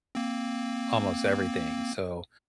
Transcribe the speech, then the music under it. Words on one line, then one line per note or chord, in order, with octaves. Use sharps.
almost everything, so,
A#3 C4